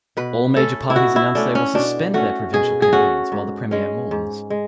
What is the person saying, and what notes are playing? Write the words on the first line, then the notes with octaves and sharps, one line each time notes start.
All major parties announce they will suspend their provincial campaigns while the premier mourns.
B2 B4
A3 C#4 A4
E4
B2 F#4
E4
A3 C#4 D4
C#4
B2 D4
A3 C#4 F#4
B2 G#4
G#4
A3 C#4 F#4
G#2
G#3 C#4
G#2
G#3